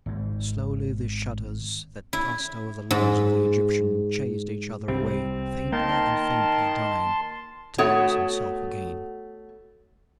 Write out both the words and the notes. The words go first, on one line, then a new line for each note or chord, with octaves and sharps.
Slowly the shudders that passed over the limbs of the Egyptian chased each other away, faintlier and faintlier dying till he was himself again.
G#1 G#2
E4
G#2
C2 C3 G3 C4
D#3 A#3 A5 C6
A3 B3 F#4 C#5